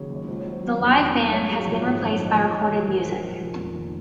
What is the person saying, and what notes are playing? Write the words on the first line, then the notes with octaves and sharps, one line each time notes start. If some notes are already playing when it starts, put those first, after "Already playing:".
The live band has been replaced by recorded music.
Already playing: D#2 C#3 F#3 C#5
D#2 C#5
C#2 C5
C#5
F#3
C5
F#3
F1
D#3
F#3
G#2 C#5
F#3 G#4
F#4
A#1
G#1 G#4
F#2 C5
C#5
D#3 D#5
F2 D#5
F2
C#5
F2
A#1 A#4
C5
A#1 A#4
A#1
F1
F1
D#2